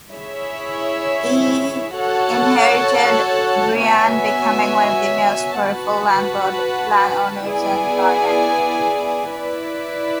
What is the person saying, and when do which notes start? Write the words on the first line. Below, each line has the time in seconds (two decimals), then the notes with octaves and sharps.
He inherited Brionne, becoming one of the most powerful landowners in Normandy.
0.12 E4 G#4 C#5 E5
1.95 F#4 A4 C#5 F#5 A5
3.79 B3 F#4 C#5 E5 G#5
5.62 F#4 B4 F#5 A5
7.46 B3 E4 G#4 D5 G#5
9.29 E4 B4 D5